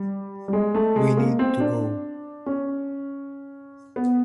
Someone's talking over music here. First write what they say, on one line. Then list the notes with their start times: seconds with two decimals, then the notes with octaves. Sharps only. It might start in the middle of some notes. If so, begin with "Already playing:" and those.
We need to go.
Already playing: G3
0.48 G3
0.53 G#3
0.75 A3
0.96 G#3
1.17 A#3
1.39 C4
1.60 D4
2.46 C#4
3.96 B3